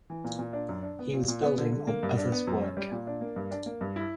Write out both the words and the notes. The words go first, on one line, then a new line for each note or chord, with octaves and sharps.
He was building on others work.
E3
A#2
A#2
D4
F#2
D4
B3
A#2
A#2
B3
D3
D3
A#3
G2
D4
B3
F#2
C#4
G3
A#2
D4
A#3
G2
D4
A#3
G2
E4